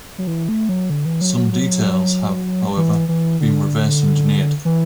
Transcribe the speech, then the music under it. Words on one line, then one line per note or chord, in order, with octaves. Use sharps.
Some details have, however, been reverse engineered.
F#3
E3
A3
F#3
D3
E3
F#3
F#3
F#3
E3
E3
D3
E3